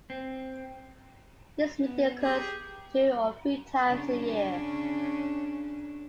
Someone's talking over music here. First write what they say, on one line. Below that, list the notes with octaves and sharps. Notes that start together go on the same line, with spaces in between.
This meeting occurs two or three times a year.
C4
B3
G4 G#4
C#3 C#4 D4